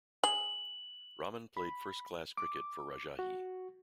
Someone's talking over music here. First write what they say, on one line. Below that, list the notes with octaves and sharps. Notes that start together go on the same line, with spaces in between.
Rahman played first-class cricket for Rajshahi.
G#4 F#7
B5
D6
F#4